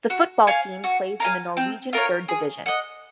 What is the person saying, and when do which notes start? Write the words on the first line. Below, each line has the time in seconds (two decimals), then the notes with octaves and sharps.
The football team plays in the Norwegian Third Division.
0.10 F#4
0.47 C#5 F5 G#5
0.84 F#4
1.20 A#4 F5 G#5
1.57 C4
1.93 F4 A#4 C#5
2.28 G#4
2.66 D#5 F#5